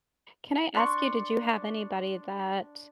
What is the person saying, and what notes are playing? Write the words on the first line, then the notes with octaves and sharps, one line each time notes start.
Can I ask you, did you have anybody that
D4 C6 C#6